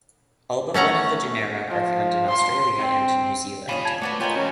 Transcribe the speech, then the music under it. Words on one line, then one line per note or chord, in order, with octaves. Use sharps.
All but one of the genera are found in Australia and New Zealand.
A3 C#4 F#5 A#5
F3
C6
C4
F4 C#5 D#5 G#5 B5
A5 G#6
A3 D4 F#4 B4
B3 D#4 F4 A#4 C#5 G5 G#5
F3 C#4 F#4 A#5